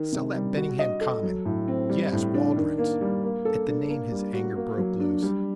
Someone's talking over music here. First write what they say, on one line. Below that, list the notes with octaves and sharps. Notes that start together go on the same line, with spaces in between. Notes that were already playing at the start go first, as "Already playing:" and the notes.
Sell that Benningham Common--yes, Waldron's.' At the name his anger broke loose.
Already playing: D#3
C3
G3
F#4
D#5
A4
F#3
A2
C4
G3
A2
D4
D#3
A#3
G3
A#3
A4
D4
A#3
G3
F#4
A#3
F#3
D4
G3